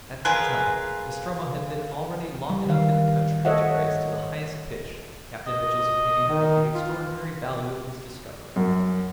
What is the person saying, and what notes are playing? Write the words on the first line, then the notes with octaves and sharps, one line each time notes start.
At that time Nostromo had been already long enough in the country to raise to the highest pitch Captain Mitchell's opinion of the extraordinary value of his discovery.
F4 G#4 A#4 B4
G3
D#3 F5
A4 C#5 D#5 E5 F#5
D#5
D#3
F4
F#2